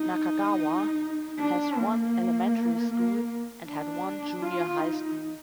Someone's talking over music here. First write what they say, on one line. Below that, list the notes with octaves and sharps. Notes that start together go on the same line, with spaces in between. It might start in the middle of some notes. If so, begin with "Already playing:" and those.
Nakagawa has one elementary school and had one junior high school.
Already playing: D#4
D4
A#3
A#3
D4
F4
D#4